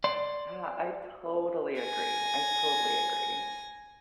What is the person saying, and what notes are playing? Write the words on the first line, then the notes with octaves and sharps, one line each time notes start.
Yeah, I totally agree, I totally agree.
D5 C6
G#5 A#6